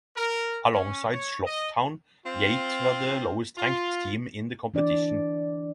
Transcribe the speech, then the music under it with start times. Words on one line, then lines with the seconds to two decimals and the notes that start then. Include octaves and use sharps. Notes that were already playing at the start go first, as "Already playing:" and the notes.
Alongside Slough Town, Yate were the lowest ranked team in the competition.
0.16 A#4
0.73 C#4
1.12 C#5
1.46 D#5
2.25 C4 F4
3.57 F4
4.74 E3 D4 D5